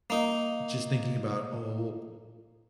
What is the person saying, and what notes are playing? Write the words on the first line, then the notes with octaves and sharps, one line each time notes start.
just thinking about, oh,
A#3 D#4